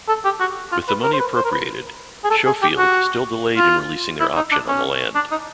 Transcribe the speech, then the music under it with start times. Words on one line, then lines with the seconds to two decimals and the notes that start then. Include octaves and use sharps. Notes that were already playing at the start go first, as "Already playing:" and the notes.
With the money appropriated, Schofield still delayed in releasing their option on the land.
0.08 A4
0.25 G4
0.40 F#4
0.72 F4
0.88 B4
1.04 A#4
1.13 C5
1.20 B4
1.36 C5
1.45 A#4
1.52 B4
2.24 G#4
2.31 A4
2.46 G#4
2.62 G4
2.78 F#4
3.58 F4
4.20 E4
4.36 D#4
4.52 D4
4.68 C#4
5.15 D4
5.31 D#4